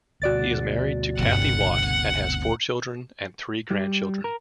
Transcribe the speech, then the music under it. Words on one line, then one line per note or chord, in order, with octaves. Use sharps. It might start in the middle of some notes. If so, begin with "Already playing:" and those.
He is married to Cathy Watt, and has four children, and three grandchildren.
D2 B2 F#4 D5 A6
G1 C3 F#5
G3
A#4